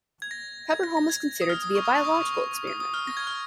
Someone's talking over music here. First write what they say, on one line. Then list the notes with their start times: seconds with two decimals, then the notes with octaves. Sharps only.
Peberholm is considered to be a biological experiment.
0.22 G#6
0.31 A#6
0.71 G#6
0.83 A#6
0.97 A#6
1.10 G#6
1.42 D#6
1.49 F6
1.62 D#6
1.75 C#6
1.85 D#6
1.95 C#6
2.05 D#6
2.15 C#6
2.67 D#6
2.80 D#6
2.94 F6
3.07 A#6
3.17 G#6
3.27 F6